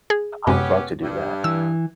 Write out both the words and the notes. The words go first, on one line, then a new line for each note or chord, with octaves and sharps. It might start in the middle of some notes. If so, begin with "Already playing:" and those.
I would love to do that.
G#4
F#2 C3 G#3 B3 C#4 G4
G2
E3 E6